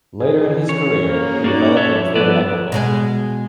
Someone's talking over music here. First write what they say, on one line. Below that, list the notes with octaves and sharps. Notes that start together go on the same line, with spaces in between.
Later in his career, he developed and threw a knuckleball.
E3 G#4
C#4 C#5
A#3 F#4 G#4 A#4
A#3 D#4 F#4 D5 D6 G6
F3 A4 C#5 E5
B3 A4 B4 D5
B2 G#3 G#4